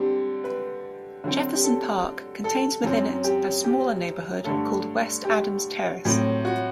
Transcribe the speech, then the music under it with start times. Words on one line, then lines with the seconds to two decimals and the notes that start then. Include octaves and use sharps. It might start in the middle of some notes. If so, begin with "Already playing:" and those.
Jefferson Park contains within it a smaller neighborhood called West Adams Terrace.
Already playing: D3 G3 C4 G4
0.44 B4
1.24 D3 F#3 C4
1.55 G4
1.64 A4
2.44 A4
2.84 F#2 F#3 C4
3.24 G4
3.64 G4
4.44 G2 D3 A3 A4
5.25 G4
6.05 A2 F#3 C4
6.45 F#4